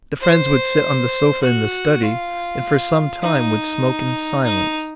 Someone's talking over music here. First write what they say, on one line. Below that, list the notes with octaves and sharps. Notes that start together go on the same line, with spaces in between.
The friends would sit on the sofa in the study and for some time would smoke in silence.
C5
F#4
F4
D#4
D#4